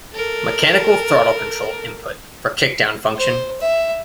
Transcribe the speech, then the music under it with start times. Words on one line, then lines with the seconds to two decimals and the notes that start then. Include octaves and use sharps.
Mechanical throttle control input for kick-down function.
0.12 A4 A#4
3.17 C5
3.61 E5